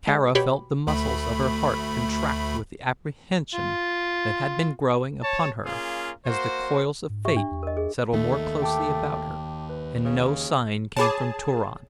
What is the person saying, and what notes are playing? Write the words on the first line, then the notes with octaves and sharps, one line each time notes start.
Tara felt the muscles of her heart contract with the apprehension that had been growing upon her as the coils of Fate settled more closely about her and no sign came from Turan.
G#3
B2 G4 C#5 B5
D2 A3 B5
F4
C#5 A5
A#3 C#4 F4 G#4
A#3 F#4 C5
G#2
G4 E5 C#6
D4
E2
A#4 D#5
G#4
D#2 A3
G5 A5 D6
B4
C#3
G#4 C#5 A5 B5 D6